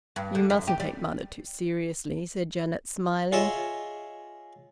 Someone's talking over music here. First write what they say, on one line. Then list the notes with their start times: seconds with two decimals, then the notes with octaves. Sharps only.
"You mustn't take mother too seriously," said Janet, smiling.
0.16 G2
0.35 D3
0.50 F#2
0.67 G4
0.80 G3
3.32 F4 G#4 C#5 D#5 E5